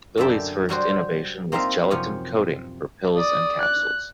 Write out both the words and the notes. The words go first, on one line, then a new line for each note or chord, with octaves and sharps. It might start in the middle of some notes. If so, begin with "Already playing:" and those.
Lilly's first innovation was gelatin-coating for pills and capsules.
F#2 D3 A#3 A4 E5 G5
F#3 G3 F#4 C5
A#3 C4 D#4 F4 E5 F5
F#2 C3 F3 F4 C#5 G#5
D5 D#6
F#6